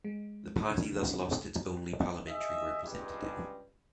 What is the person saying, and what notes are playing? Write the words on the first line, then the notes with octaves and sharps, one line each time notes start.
The party thus lost its only parliamentary representative.
G#3
D3
G#4 D#5 E5
C#2 G2